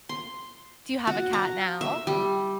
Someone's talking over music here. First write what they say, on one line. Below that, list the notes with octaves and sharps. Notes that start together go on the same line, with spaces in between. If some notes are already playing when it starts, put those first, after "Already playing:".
do you have a cat now?
C6
F#4
A#5
E5
G3